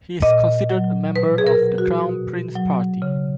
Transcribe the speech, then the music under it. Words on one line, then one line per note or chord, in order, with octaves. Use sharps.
He is considered a member of the Crown Prince Party.
A#2 D#5
F#3
B2 B4
G#4
A#4
F#3
F#4
B2
F#3
C#3